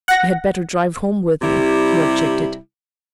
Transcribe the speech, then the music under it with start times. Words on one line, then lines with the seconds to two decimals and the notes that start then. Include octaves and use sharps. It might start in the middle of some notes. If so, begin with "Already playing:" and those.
"You had better drive home with me," he objected.
0.08 F#5 A#6
1.42 C3 G3 E4